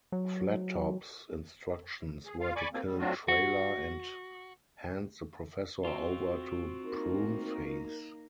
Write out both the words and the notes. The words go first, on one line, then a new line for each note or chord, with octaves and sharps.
Flattop's instructions were to kill Trailer and hand the Professor over to Pruneface.
F#3
G#4
F4 F5
D5 G#5 B5 C#6 D6
A#3 C4
G3
F#3 A3 C4 D4 F4 F#4
F#4
C4 F4 F#4
A#3 D#4 A#4